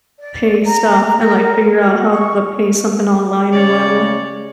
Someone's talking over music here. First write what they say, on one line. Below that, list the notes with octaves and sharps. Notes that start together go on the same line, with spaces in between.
pay stuff and, like, figure out how to pay something online or whatever.
D5
A#5
A#4
F#4
C#6
C#3 C#5 D5